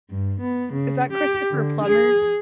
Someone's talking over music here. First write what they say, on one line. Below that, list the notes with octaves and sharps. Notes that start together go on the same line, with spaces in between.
Is that Christopher Plummer
G2
B3
C#3
G4
D3
G#4